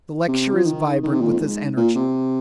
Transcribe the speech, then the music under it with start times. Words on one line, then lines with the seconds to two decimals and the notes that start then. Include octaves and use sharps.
The lecture is vibrant with his energy.
0.28 C3
0.54 F3
0.65 D#3
1.03 D#3
1.12 C3
1.21 A#2
1.30 F2
1.39 G#2
1.76 A#2
1.95 C3